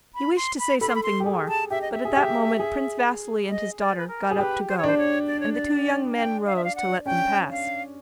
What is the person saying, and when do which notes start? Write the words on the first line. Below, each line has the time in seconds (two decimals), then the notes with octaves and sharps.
He wished to say something more, but at that moment Prince Vasili and his daughter got up to go and the two young men rose to let them pass.
0.15 B5
0.36 C6
0.59 B5
0.81 A4 B5
0.89 C6
0.95 B5
1.03 C6
1.20 G4
1.26 G#4
1.49 A5
1.70 G4 E5
1.82 D#5
1.92 E5
2.05 G#4
2.16 G4
2.59 G#4
3.49 D#5
3.79 D5
3.97 B4
4.08 A#4
4.31 G#4
4.38 G4 B4
4.69 C5
4.77 C#5
4.84 D4 C5
4.98 C#5
5.27 D5
5.40 C#5
5.53 D5
6.16 G5
6.47 F5
6.56 E5
6.64 F5
6.76 F#5
7.06 C#4 G5
7.50 F5